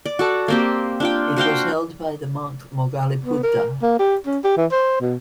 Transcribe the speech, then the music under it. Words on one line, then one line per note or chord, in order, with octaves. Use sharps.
It was held by the monk Moggaliputta.
D5
F#4 A4 A5
A#3 C4 G4
D4 F4 G5
F#4 C5 F5 G5
B3
A#4
A#3
G4
C#4
G4
E3
C5
B2